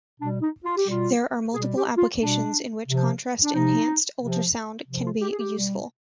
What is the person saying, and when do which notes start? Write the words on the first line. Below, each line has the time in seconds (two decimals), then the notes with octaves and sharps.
There are multiple applications in which contrast-enhanced ultrasound can be useful.
0.20 B2 D4
0.23 G3
0.42 D#4
0.64 F4
0.77 G4
0.87 B2 G3 F4
1.54 B2 G#4
1.57 G3
1.76 G4
1.98 F4
2.20 B2 G3 D4
2.88 C3 F3
3.43 D4
3.54 C3 F3 D#4
4.21 C3 F3
4.88 C3 F3
5.05 F4
5.22 G4
5.32 G#4
5.38 G4
5.54 B2 G3